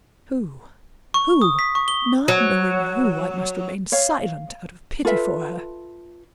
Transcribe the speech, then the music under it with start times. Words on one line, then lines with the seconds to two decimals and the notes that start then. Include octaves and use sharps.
Who?--Who?--Not knowing who, I must remain silent, out of pity for her.
1.14 C#6
1.42 D#6
1.59 B6
1.75 C#6
1.88 G7
2.28 F#3
3.92 C#5 F5
5.05 F4 A4 B4 E5